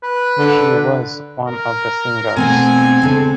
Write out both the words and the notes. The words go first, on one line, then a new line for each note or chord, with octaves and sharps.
She was one of the singers.
B4
D3
A#4
B2 A3 C4 F#5 G#5
C#3 D4 A4